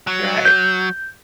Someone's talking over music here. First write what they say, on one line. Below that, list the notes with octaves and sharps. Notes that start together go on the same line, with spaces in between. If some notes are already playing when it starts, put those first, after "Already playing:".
You're right.
F#3
G6